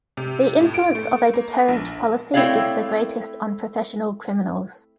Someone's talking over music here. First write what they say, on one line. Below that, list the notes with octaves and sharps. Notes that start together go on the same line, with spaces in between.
The influence of a deterrent policy is the greatest on professional criminals.
C3
A2
D7
A3
A#3
A#1
A3 C4 E4 C#5 D5 F5